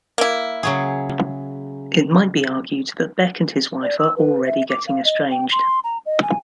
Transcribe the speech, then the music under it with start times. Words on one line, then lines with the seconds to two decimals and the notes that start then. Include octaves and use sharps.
It might be argued that Beck and his wife are already getting estranged.
0.18 A#3 E4
0.63 C#3 F#3 G#4
3.83 D5
3.99 E6
4.16 B4
4.46 E5
4.69 D6
4.87 F5
5.05 D#5
5.30 G5
5.52 C6
5.84 A#5
6.06 D#5
6.22 G#5